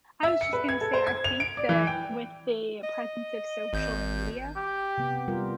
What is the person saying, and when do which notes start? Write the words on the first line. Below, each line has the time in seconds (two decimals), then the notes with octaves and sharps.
I was just gonna say, I think that with the presence of social media
0.23 E5
0.41 C#7
0.53 B4
0.69 G#6
0.81 A4
0.93 C5
1.07 G#6
1.24 F7
1.40 D7
1.57 D5
1.69 E3
1.87 G5
2.84 D#5
3.73 G#1 G6
4.56 G4
4.98 C3 B3
5.28 G3 F4 A#4